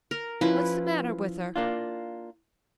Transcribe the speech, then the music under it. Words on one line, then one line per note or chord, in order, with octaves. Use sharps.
What's the matter with her?
A#4
F3 C#4 E4 F4 B4
A#3 D4 F4